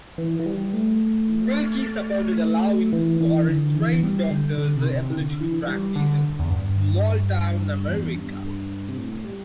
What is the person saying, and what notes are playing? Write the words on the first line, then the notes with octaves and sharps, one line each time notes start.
Willkie supported allowing foreign-trained doctors the ability to practice in small-town America.
E3
E3
G3
A3
E3
E3
D3
E3
G3
D3
D3
C3
C3
D3
E3
E3
G3
D3
E2
G2
E2
G2
C3
A2
G3